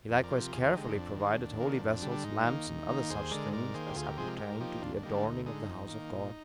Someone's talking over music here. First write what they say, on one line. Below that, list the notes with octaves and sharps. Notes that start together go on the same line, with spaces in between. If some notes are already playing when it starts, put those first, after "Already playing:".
He likewise carefully provided holy vessels, lamps, and other such things as appertain to the adorning of the house of God.
F2
A#4 D5
C3 F3
G4 A#4
D#2 F4 G#4
G4
F4 G#4
D3 G#3 D#4 G4
D#4
F2 D4
D#3 G#3
D#2
D#3 A#3
F2
D3 G3
D4
G#2 D#4
D#3 A#3
D#2
D#3 A#3
D#2 G#4 C5
D3 G#3 A#4 D5
G#2 A#4 D5
D#3 A#3 G#4 C5
G4
D2 F4 G#4
C5
G4 A#4
C3 F3 G#3 G#4 C5
G4 A#4
G#2 G4 A#4
F3 A#3 D#4 G4
D#2 D4 F4
D4
D3 G3 A#3 D#4
D4
D2 D#4
D3 G#3 D#4
F2
D#3 A#3
A#2